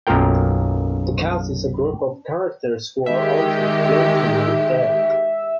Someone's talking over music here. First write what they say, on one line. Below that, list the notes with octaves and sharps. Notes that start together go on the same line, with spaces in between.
The cast is a group of characters who are also flirting with death.
B1 F#2 A#3 F4 A#4 G5
D#3 G#3 G4 E5